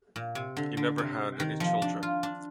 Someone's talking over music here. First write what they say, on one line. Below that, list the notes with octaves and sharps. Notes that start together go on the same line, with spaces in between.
He never had any children.
A#2
C3
D3
D3
C3
D#3
F3
D4
F4
D4